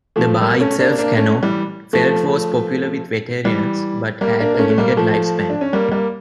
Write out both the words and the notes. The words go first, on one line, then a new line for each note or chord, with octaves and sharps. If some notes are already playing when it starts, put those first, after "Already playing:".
The bar itself Cano felt was popular with veterans but had a limited lifespan.
F3 A3
G3 A#3
A3 C#4
A#3 D4
A#3 D4
A3 C#4
E3 G3
F3 A3
E3 G3
G3 A#3
A#3 D4
A#3
A3 C#4
A3
G3 A#3
F3 A3
D4
C#4
G3 A#3
G3 A#3